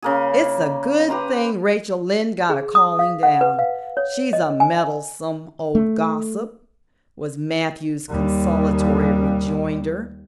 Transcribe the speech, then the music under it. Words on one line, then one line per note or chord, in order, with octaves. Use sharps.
"It's a good thing Rachel Lynde got a calling down; she's a meddlesome old gossip," was Matthew's consolatory rejoinder.
C#3 A#3 G#4
G4 B4 A#5 C6
G#4
D#6
F5
F#5
B4
F5
C#5
D#5
G#5
A3
D#2 G3